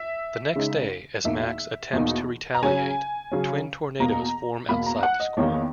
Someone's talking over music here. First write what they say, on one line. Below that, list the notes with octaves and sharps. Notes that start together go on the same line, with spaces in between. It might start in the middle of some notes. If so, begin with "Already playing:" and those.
The next day, as Max attempts to retaliate, twin tornadoes form outside the school.
Already playing: E5
C#3 G#3 D#4
E2 B2 A#3 D#4 E5
E2 B2 A#3 D#4
A#5
C#3 F#3 C#4 G#5
C#3 F#3 C#4
E2 B2 A#3 A#5
E2 B2 A#3 B5
A#5
F#5
D#5
E2 D#3 A#3 D#4 C#5